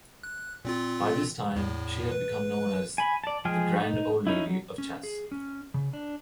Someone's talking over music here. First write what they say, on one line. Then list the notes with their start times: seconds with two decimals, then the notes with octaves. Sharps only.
By this time she had become known as the "Grand Old Lady of Chess".
0.23 F#6
0.65 A#2 C4 F4
1.56 E2 A2
2.11 B4
2.98 G#5 B5
3.24 D5 A5
3.45 F3 G#3 G#4 G5 F6
3.81 D#4
4.27 C#4 D#4 E4
4.48 F#3
4.78 C#4
5.03 G#4
5.32 C#4
5.74 C#3
5.93 D4